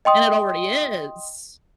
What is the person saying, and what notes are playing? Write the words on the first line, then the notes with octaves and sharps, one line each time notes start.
And it already is.
D#5 G5 C6 D#6